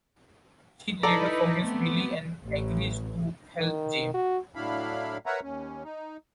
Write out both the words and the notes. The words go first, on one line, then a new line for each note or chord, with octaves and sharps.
She later forgives Billy and agrees to help Jay.
D#4 E4 A4 B4 D5 A#5
A3 B3 C4
A1
D#3
F#4
A2 F#3 D4 E4 F5 B5
A#4 B4 C#5 E5 F#5 A#5
D#2 C#4
D#4